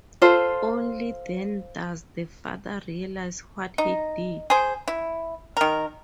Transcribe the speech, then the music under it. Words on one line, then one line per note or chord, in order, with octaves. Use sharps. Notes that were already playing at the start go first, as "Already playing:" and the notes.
Only then does the father realise what he did.
F4 A4 C5
D#4
G#4 C5
E4
D#3 A#4